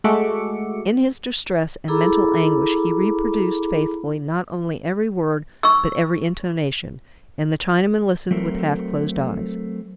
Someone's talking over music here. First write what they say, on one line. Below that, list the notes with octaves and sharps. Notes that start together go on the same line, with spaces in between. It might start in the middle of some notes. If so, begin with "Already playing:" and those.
In his distress and mental anguish he reproduced faithfully not only every word, but every intonation, and the Chinaman listened with half-closed eyes.
G#3 A3 F#4 E5 D6 C#7
E4 G#4 A4 A#5 B5 D6
C#6 E6
F#3 A3 C4 A4 A#4